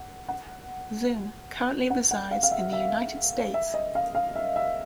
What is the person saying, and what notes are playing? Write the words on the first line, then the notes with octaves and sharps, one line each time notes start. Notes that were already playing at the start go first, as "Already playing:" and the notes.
Zun currently resides in the United States.
Already playing: F#5
F#5
F#5
F#5
F5
F5
E5
E5
E5
D#5
F5
F5
E5
E5